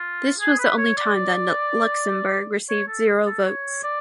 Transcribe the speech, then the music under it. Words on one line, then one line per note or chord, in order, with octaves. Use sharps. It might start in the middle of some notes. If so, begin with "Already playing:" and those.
This was the only time that Luxembourg received zero votes.
Already playing: F4
G#4
B4
C#5
D5
C#5
A4
A4
C#5
D5